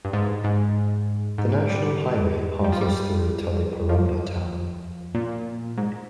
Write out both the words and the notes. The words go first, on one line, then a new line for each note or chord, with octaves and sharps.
The national highway passes through Taliparamba town.
G2
G#2
G#2
G#2
G3
G3
F3
G3
F3
A#2
G#2